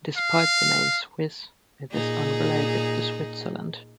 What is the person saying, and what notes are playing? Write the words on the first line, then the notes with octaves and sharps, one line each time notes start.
Despite the name "Swiss," it is unrelated to Switzerland.
F5
A#2 D#4 G#4